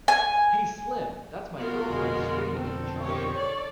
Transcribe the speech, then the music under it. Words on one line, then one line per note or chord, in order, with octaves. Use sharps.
Hey Slim, that's my girlfriend screaming in the trunk.
G#5
B3 F4 F#4 A#4
F2 B2 D3 G#3
C4 A4
D#3 G4 C#5 C#6
A4 C#5 D5